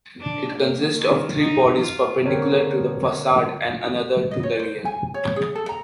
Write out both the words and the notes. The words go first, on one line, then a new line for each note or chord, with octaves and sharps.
It consists of three bodies perpendicular to the facade and another to the rear.
D4
A#3
D#3
D#4
F4
D3 A#3 C4 G4 A#4 C#5
D#5
C#5
C5
G#5
C#5
G#4
A4
A#5